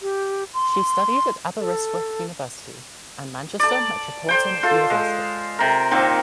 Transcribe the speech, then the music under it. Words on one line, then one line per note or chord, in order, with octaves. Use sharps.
She studied at Aberystwyth University and Manchester Metropolitan University.
G4
C6
A4
D5 A5
C5 G5
F4 A4
G#3
C3 A#4
A#2 D#3 C4